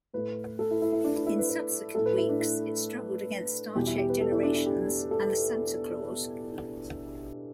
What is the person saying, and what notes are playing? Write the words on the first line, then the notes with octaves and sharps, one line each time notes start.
In subsequent weeks it struggled against "Star Trek Generations" and "The Santa Clause".
A2 A3 B4
A4
E4
E4
E4
D4
E4
E4
B4
B4
A2 A3 A4
B4
E4
D4
E4
E2 B2 G3 G4
E4
G4
B4
A4
E4
D4
E4
G4
A4